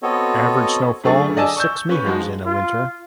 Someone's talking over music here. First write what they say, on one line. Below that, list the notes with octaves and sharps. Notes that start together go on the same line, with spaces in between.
Average snowfall is six meters in a winter.
B3 C4 F#4 A4 C#5 D#5
F#2 D3 A3 G#4 C#6 A6
D5 D#5 G#5 A5 E6
C#6 E6 G6
C#4 B4 C#6
F3 G#3 D#4 F#4
F4